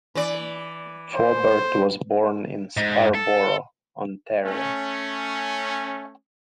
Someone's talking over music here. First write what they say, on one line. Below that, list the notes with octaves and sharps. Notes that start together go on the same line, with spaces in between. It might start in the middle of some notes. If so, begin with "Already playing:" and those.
Faubert was born in Scarborough, Ontario.
E3 D5
C5
G#2
A4
A3 C#4